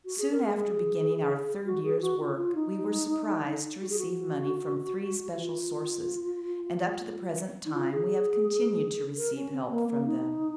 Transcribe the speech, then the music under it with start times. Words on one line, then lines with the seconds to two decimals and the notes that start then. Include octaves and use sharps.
Soon after beginning our third year's work we were surprised to receive money from three special sources, and up to the present time we have continued to receive help from them.
0.05 F#4
0.18 G#4
0.31 A#4
0.45 G#4
1.65 F#4
1.83 G#4
2.01 F#4
2.19 F4
2.37 F4
2.55 D#4
3.81 F#4
3.90 G#4
3.99 F#4
5.36 F#4
5.41 F4
7.65 D#4
7.74 F4
7.92 G#4
9.17 A#4
9.35 C#4
9.53 C4
9.71 A#3
9.88 A#3
10.06 D#4